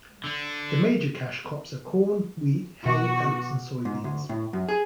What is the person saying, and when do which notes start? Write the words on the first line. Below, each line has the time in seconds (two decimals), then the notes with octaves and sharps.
The major cash crops are corn, wheat, hay, oats, and soybeans.
0.24 D3 D4
2.85 B2 F#4 D6
3.85 G#2
4.04 D2
4.29 A2
4.53 F#2
4.69 G#4